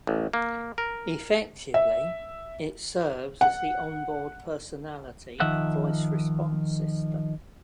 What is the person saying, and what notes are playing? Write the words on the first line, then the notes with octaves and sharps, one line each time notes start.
Effectively, it serves as the on-board personality and voice response system.
A1
A#3
A#4
E5
F#5
D#3 F3 E5 F#5